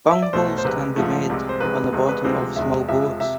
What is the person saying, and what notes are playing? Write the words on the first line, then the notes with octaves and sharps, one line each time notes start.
Bungholes can be made on the bottom of small boats.
E5
D5
B1 B2 A3 C5
C5
C2 C3 G#3 B4
G#1 G#2 F3 A3
C2 C3 G#3
C5
E1 E2 C3 G#3 B4
E1 E2 C3 G#3
B4
D2 C3 F3 G#3 C5
E1 E2 C3 G#3 E5
F2 C3 F3 G#3 E5
C3 E5